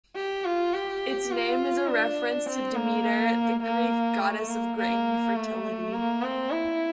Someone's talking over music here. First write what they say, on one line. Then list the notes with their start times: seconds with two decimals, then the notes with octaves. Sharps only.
Its name is a reference to Demeter, the Greek goddess of grain and fertility.
0.15 G4
0.45 F4
0.74 G4
1.31 F4
1.89 D4
2.46 C4
2.76 A#3
3.62 A#3
4.20 A3
4.49 A#3
4.78 A#3
5.35 A3
5.93 A#3
6.22 C4
6.51 E4